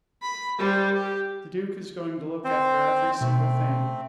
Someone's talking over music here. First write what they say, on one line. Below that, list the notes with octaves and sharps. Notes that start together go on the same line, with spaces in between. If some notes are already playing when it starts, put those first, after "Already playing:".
The duke is going to look after every single thing.
B5
G3 C5
G4
C4 C5
B2 A3 C4